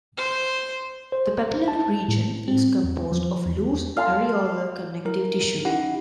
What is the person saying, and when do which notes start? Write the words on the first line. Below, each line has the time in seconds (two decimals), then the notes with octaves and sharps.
The papillary region is composed of loose areolar connective tissue.
0.17 C5
1.12 C5
1.68 A5
2.08 A2
2.48 C4
2.84 E2
3.12 F3
3.46 E2
3.97 F5 A5 C6
5.05 F#3 E4 A#4
5.65 C#4 D#4 E4 G4 F#5